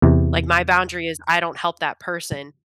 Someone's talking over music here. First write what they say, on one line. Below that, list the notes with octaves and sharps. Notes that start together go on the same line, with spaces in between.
Like, my boundary is I don't help that person,
E2 C3